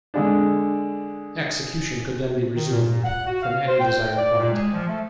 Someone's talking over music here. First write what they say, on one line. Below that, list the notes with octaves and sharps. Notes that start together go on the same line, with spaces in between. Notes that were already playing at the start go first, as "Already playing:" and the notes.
Execution could then be resumed, from any desired point.
D3 G#3 D4
D#3
A#2
F#5
F#4
F5
C5
G5
D5
A#2
G#3
F3
A3